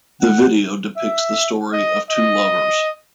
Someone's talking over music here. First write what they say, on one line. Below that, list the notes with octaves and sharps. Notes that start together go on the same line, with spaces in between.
The video depicts the story of two lovers.
F#5
E5
D#5
D#5